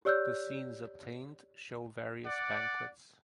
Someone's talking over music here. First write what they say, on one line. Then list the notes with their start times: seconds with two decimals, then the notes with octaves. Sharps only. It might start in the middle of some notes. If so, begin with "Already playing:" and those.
The scenes obtained show various banquets.
0.05 G4 C#5 D5 E6 F#6 G6
2.25 D5 F#5